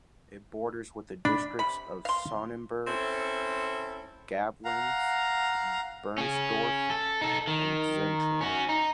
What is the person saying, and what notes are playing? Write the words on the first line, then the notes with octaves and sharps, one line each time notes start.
It borders with the districts of Sonnenberg, Gablenz, Bernsdorf, and Zentrum.
D4 B5
C3 B5
F5 C6
C4 C#4 E4 A4
F5 F#5 A#5
C#4 G#4
A4
D#4 A4
D#3
C#4 F#4
D#4